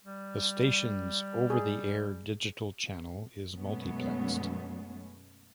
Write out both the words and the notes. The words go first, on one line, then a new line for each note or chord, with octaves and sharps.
The station's over-the-air digital channel is multiplexed.
G3
G#4
F#2 B2 G#3 A3 B3 C#4